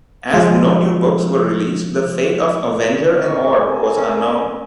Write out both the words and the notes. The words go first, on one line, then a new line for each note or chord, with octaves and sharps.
As no new books were released, the fate of Avenger and Orb was unknown.
F3 G#3 F4
A2 A#4 C#6
C4 A#4 G#5
C#4